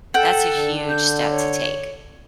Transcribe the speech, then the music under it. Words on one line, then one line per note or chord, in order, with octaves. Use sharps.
that's a huge step to take.
A4 F#5 G5
D3
G6
C#5